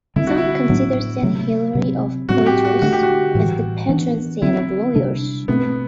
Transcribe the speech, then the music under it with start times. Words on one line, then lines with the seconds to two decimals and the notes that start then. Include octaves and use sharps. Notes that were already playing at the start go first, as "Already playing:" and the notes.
Some consider Saint Hilary of Poitiers as the patron saint of lawyers.
0.16 D3 G3 C4 E4
0.27 F#4
0.37 E4
0.69 A2 F#3 B3 D4
1.23 C3 F#3 A3
1.75 C3 F#3 C4
2.29 A2 G3 C4 F#4
2.46 G4
2.65 F#4
2.82 D3 A3 D4 F#4
2.92 G4
3.03 F#4
3.35 A2 E3 G3
3.89 E3 B3 D4
4.42 D3 F#3 C4 E4
4.95 C3 G3 D4
5.48 B2 A3 B3 C4